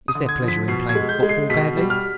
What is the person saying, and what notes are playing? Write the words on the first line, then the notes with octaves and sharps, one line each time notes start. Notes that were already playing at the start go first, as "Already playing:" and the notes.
Is there pleasure in playing football badly?
D#6
D3
G#6
F3
B6
B2 C7
G#6
G#3
G6
G#3
C7
B2 B6
G3
F6